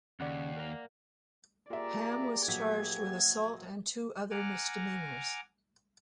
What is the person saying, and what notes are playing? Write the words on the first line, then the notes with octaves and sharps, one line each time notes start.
Hamm was charged with assault and two other misdemeanors.
D#2 C#3 C#4 D5 F#5 F#6
A#4 F5
A#3 F4 G4 G#4 D5 E5 A#5
A#1 F#3 G#6 B6
F#5 G#5 A#5 D6 F6